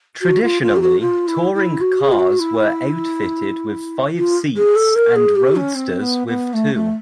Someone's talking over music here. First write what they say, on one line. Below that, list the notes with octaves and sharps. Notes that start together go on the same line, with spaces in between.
Traditionally touring cars were outfitted with five seats and roadsters with two.
F#4
F4
F4
G4
F#4
F4
E4
E4
F#4
G#4
F4
F#4
E4
F4
G#4
A4
A#4
G#4
G4
C#4
C4
B3
B3
A3
A3